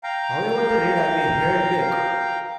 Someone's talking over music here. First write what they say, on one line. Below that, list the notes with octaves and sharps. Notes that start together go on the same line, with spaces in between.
However, the Red Army held back.
F5 G5 A#5